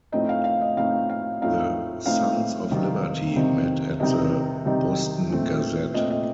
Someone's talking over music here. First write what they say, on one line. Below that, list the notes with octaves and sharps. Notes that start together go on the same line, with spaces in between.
The Sons of Liberty met at the Boston Gazette.
A2 F3 A3 C4 D#4 D#5
F5
F5
D#5
A2 F3 A3 C4 D#4 F5
F5
A2 F3 A3 C4 D#4 F5
A2 F3 A3 C4 D#4 F5
C3 D#3 G3 C4 D#4
C3 D#3 G3 C4 D#4
C3 D#3 G3 C4 D#4 D#5
C3 D#3 G3 C4 D#4
A#2 A3 C4
A#2 A3 C4 D#5
D#5